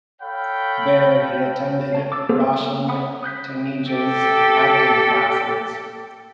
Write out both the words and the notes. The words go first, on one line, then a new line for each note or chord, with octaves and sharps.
There, he attended Roshan Taneja's acting classes.
A4 C#5 F5 G5 B5
C#5 A5 C7
D6 E6 A6
A#3 B3 G#4 A4 B4 C5
F#5 B5 D#6
D#6 F#6 G6 B6
G4 A4